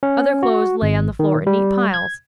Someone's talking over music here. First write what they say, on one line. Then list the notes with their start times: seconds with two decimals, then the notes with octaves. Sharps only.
Other clothes lay on the floor in neat piles.
0.03 C#4
0.43 F#4
0.82 G#1
1.19 D#3
1.47 G3
1.94 G#6